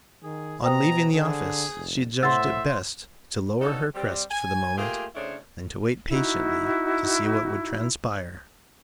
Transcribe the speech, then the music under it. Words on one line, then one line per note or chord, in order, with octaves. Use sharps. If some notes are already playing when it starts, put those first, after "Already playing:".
On leaving the office she judged it best to lower her crest for the moment and to wait patiently to see what would transpire.
D#3 G#4
B2 C5 G5 A#5 D#6
D3 G#4
F1
A2 C5 E5 F#5 E6 A6
G2 C#4 D#4 F#4 A4
G3 C4
G#5
A3 A#3 F4 G4 G#4
A2 C#3 D4 E4 C5 C#5
D#4 E4 F#4